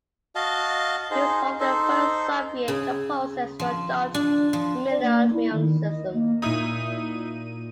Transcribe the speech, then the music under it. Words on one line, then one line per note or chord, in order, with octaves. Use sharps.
He was one of the first Soviet composers to adopt minimalism.
F#4 D#5 F5 A5
D#4 G#4 C5
D#4 A4 C5
C#3
F3
D4
F3
D5
A#3
E4
D#3
D#5
A#3
A#2 D#4 E4 D#7